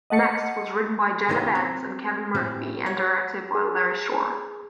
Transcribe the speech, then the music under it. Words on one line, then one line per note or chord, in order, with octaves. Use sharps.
"Next" was written by Jenna Bans and Kevin Murphy and directed by Larry Shaw.
D#5 F#5 A5 C#7
G2 C3 D#3 E3 C#4 G4
C4
A2 E3 C4 G4
C#5 F#5
G#4